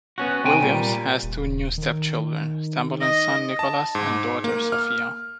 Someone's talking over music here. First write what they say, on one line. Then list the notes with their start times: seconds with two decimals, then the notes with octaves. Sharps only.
Williams has two new step children, Sambolin's son Nicolas and daughter Sofia.
0.18 B3 C#4 F#4
0.45 C3 C4 G5 G#5
0.62 A#2 G3
1.23 D#1
1.78 D#3
3.01 D#5
3.59 A5
3.95 G#2
4.44 A#3
4.72 F6